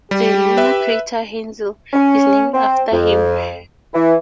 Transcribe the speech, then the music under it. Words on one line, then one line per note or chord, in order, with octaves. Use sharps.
The lunar crater Hainzel is named after him.
G3 G4
B4 E5
C#4
C4
F2
E3